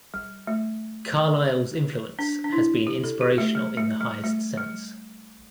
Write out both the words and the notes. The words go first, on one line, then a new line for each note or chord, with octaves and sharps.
Carlyle's influence has been inspirational in the highest sense.
G3
A3
D4
D4
E4
G4
A4
G4
A3
G3
A3
G3
A3
G3